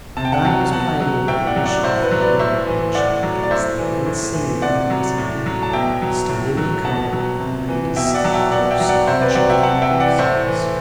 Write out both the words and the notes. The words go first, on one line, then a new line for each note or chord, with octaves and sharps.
The band was playing the Revolutionary Funeral March, and against the immense singing of the mass of people, standing uncovered, the paraders sang hoarsely, choked with sobs....
C3 A5
G5
F#5 A5
F#3
B2 F#5 A5
F#3
A2 E5 G5
D5 F#5
F#3
D5 F#5
A2 C5 E5
B4
F#3
B4 D5
A2 C5 E5
E3
A2 D5 F#5
F#3
D5
A2 C5 E5
E3
A2
E3
C3 D5 F#5
F#3
A2
F#3
A5
B2 E5 G5
F#3
A2
F#3
B2 F#5 A5
F#3
C3
E3
B2 E5 G5
E5
D5 F#5
F#3 A5
E5 G5
B2 D5 F#5
E5 G5
F#3
D5 F#5
C3 C5 E5
B4 D5
G5
F#3 D5 F#5
E5 G5
C3 F#5 A5
E5 G5
E3
D5 F#5
A2 C5 E5
E3